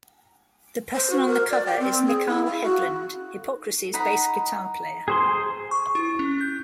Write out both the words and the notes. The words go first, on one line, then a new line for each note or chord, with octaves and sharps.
The person on the cover is Mikael Hedlund, Hypocrisy's bass guitar player.
C5
F#4
A#4
D5
G5
C4
G#4
E4
F5
F#4
D#4 F#5 B5
G#4 C5 C6
C#6
E4
C#4
G6